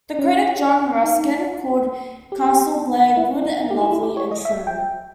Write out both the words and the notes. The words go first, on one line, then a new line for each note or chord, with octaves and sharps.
The critic John Ruskin called "Castle Blair" "good, and lovely, and true".
C#4
D#4
G4
E4
D#4
D#4
G4
E4
E4
G4
C#5
D#5
E5
G5